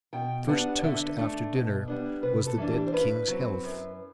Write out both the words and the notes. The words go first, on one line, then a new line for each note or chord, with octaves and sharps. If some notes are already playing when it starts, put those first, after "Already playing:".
The first toast after dinner was the dead king's health.
B2 G5
G3 B3 D4 F#5
D5
D3 E5
A3 D4
B2
G3 B3 D4
C3 B4
A4
E3 G3 D4
G4
C5
G2 B4
F#3 C4
F#2